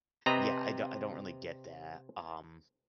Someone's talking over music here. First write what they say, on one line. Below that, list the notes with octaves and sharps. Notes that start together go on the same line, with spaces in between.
Yeah, I don't I don't really get that, um
C3 C4 B4 D#5 A#5